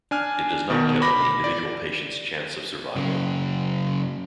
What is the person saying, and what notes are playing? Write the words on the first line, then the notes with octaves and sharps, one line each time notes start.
It does not tell the individual patient's chance of survival.
D4 G#5 F6
B2 D#3
B5 D6 A#6
D5
C#3 F#3